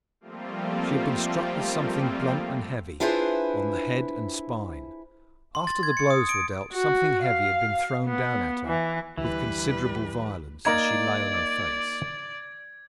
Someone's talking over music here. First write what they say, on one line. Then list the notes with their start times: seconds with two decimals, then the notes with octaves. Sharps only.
She had been struck with something blunt and heavy, on the head and spine; after the blows were dealt, something heavy had been thrown down at her with considerable violence, as she lay on her face.
0.21 F3 G3 A3 A#3 C4 F4
3.00 D4 E4 F4 G#4 B4 C5
5.55 C6
5.67 A6
5.83 G#6
5.97 C#7
6.10 D#6
6.29 D7
6.74 F#4
7.23 F5
8.05 B3
8.66 E3
9.18 D2 E3 G3 B4
10.65 A#3 D#4 D5 A#5 G#6